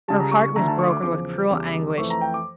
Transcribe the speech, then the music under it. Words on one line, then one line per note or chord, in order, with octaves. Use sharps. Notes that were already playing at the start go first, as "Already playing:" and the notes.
Her heart was broken with cruel anguish.
C#2 C#3 G3 A5
A#5
C#6
C#6
D2 D3 A3 A#5
A5
C#6
D6
E2 C#3 F3 D6
E2 C#3 G3
F2 E3 A3 C#6
A#5
G5
D6